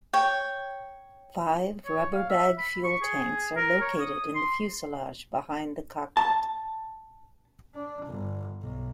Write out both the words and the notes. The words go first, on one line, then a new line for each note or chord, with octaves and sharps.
Five rubber bag fuel tanks are located in the fuselage behind the cockpit.
C#5 G5
C#5
F5
E5
B5
C#6
G#4
A#4
C#5
D#6
C6
A5
D4
G1
B1